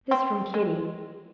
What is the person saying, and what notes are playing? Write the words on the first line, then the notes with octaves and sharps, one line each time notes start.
This from Kitty.
C4
G#3